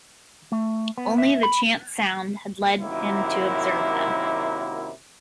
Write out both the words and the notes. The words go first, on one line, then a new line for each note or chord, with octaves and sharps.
Only the chance sound had led him to observe them.
A3
B3
E5
B5
F#2 C3 D#3 F#3 A#3 E4